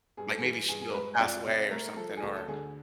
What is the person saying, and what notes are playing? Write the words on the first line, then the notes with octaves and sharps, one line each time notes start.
Like, maybe she'll pass away or something, or,
G2 G#4
A4
G#4
E3
G2 G#4
G#4
A#4
G#3 B4
D#5
F2 D5
C3
A3 A#4
F3 A4
G#4
D2 A4
A4
D3 G#4